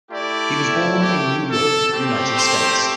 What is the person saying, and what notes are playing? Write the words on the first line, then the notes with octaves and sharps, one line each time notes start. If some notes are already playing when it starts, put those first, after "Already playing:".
He was born in New York, United States.
A3 E4 G4 D5
G4
A4
A3 C4 G4
C5